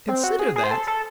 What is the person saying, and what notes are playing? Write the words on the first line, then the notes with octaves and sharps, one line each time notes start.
Consider that!
C4
F#4
G#4
G#4
C5
A4
A4